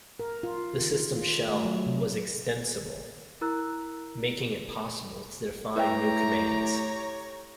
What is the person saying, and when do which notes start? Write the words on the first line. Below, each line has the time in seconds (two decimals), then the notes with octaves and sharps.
The system shell was extensible, making it possible to define new commands.
0.20 A#4
0.43 F4
0.81 D#3
1.16 F4
1.48 A3
1.65 F#3
1.86 C3
3.41 E4 A#4 A#5 E6 F#6
5.76 A2 G4 B4 C#5 E5 G5 A#5